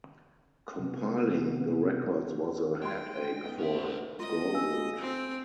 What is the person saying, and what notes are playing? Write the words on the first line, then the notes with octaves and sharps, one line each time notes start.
Compiling the records was a headache for Gurwood.
C3 B3
G#3 G5 C6
B3 D#4
C#4 E5
A4 B4
F4 D#5 C6
F5 G#5 E6
C4